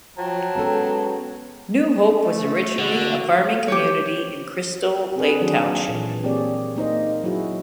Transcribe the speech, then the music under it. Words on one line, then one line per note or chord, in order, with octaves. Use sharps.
New Hope was originally a farming community in Crystal Lake Township.
F3 F#3 G5 A5 A#5
G#3 B3 C#4 A4
A3
D3 F#4
G4 C5 C#5
C4 G#4 B4
D#3 F#3 D4 F#4 G#4 C5
A#2 E3
A#3 C4 G4 G#4 C#5 D5
A#3 D#4 C5 D#5
F#3 E4 F#4 G#4